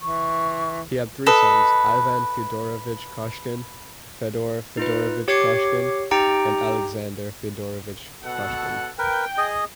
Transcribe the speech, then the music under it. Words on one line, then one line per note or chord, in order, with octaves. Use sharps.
He had three sons: Ivan Fyodorovich Koshkin, Fedor Fedorovich Koshkin, and Alexander Fyodorovich Koshkin.
E3 C#6
A4 B4 D#5
D#4 F4 B4
G4 C#5 D6 G#6 C7 C#7
D#4 G4 G5 A#5
B2 A4 F#5
A#4 B4 G5
G#4 D#5